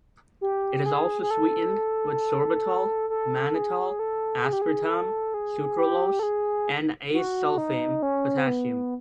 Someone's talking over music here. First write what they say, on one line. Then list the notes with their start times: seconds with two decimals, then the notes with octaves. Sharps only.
It is also sweetened with sorbitol, Mannitol, Aspartame, Sucralose and Acesulfame potassium.
0.41 G4
0.86 G#4
1.22 G#4
1.31 A4
3.10 A4
3.55 G#4
3.99 A4
4.44 G#4
4.53 G4
4.62 G#4
4.89 A4
5.34 G#4
5.79 G4
6.19 A4
6.23 G#4
7.13 F#4
7.58 D#4
8.03 C#4
8.37 C4
8.47 B3